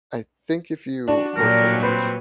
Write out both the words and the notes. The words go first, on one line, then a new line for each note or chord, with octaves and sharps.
I think if you were to watch,
D4 F#4
A#2 F#3 G3 A#4
C4 B4